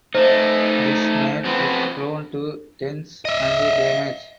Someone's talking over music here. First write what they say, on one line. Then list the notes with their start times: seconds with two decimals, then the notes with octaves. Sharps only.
This made it prone to dents and damage.
0.15 A3 D#4 C5
1.45 F3 B3 C4
3.25 D#5 E5